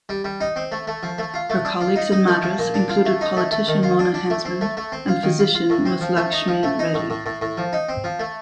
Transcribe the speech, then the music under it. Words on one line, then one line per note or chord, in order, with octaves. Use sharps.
Her colleagues in Madras included politician Mona Hensman and physician Muthulakshmi Reddy.
G3
G3
D#4
C4
A3
A3
F3
A3
F4
A3
D4
F4
D#4
D#4
A3
F3
A#2
D4
F4
A3
D#4
A3
A3
D#3
F4
D4
D4
A3
C4
A3
A3
C4
F4
D#3
F4
F4
A2
C4
F3
A3
D#4
F3
A3
D#4
A2
A2
A2
A2
F3
D#4
C4
F3
A3